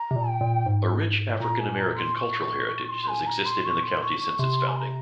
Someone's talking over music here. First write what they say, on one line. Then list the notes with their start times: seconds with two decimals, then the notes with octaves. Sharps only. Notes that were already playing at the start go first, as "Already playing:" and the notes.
A rich African American cultural heritage has existed in the county since its founding.
Already playing: A#5
0.11 C3
0.16 A#2
0.28 G5
0.41 A#2
0.66 G#2
1.40 A#2 A#5
1.59 G#5
1.78 A#5
1.96 C6
2.16 C#6
2.89 C6
3.08 G#5
3.27 A#5
3.45 C6
3.65 C#6
3.83 C6
4.02 C#6
4.20 C#6
4.39 C3 C6
4.68 G#5
4.76 C6
4.80 A#5